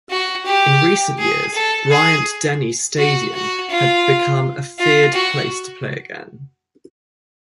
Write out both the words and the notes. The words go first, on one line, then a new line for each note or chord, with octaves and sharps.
In recent years, Bryant-Denny Stadium had become a feared place to play again.
F#4
G4
G#4
A4
G#4
F#4
F#4
F4
F4
F#4